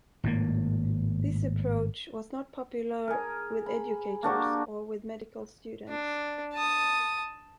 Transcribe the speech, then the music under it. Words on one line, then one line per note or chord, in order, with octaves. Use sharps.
This approach was not popular with educators or with medical students.
G#1 A2 A#3
G#4 A#4
B5
A#3 D4 F#4 G4
D4
A5 D#6